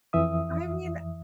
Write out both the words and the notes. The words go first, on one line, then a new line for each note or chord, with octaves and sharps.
I mean,
F2 E3 E5 D#6